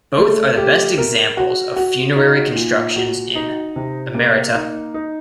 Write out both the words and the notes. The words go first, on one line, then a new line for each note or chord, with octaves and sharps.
Both are the best examples of funerary constructions in Emerita.
A3
G4
A#4
F#4
F#4
D#4
A#2
F#4
D#4
C3
A#3
D#4
D#4